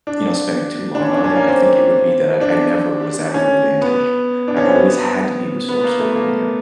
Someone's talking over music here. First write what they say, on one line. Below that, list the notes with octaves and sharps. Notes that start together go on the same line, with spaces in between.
you know, spending too long on it, I think it would be that I I never was at an advantage, I always had to be resourceful growing up.
D4
D4
C#4
D4
C#4
A#3
C4
D4
C#4
B3
D4
C#4
C4
B3
B3
A#3
A3
A#3